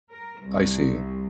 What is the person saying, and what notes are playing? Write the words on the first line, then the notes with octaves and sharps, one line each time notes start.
I see.
A#4
C2